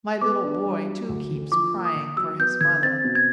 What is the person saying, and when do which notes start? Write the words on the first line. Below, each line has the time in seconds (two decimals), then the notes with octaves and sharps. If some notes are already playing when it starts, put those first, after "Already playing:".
My little boy too keeps crying for his mother.
0.22 B3 D6
0.44 D4
0.66 G3
0.88 F#3
1.09 D2
1.31 D3
1.52 F3 D6
1.74 A#3
1.85 D#6
1.96 D3
2.17 F#3 E6
2.39 B3 G6
2.61 D3 G#6
2.82 C4 A6
3.04 B2
3.15 G#6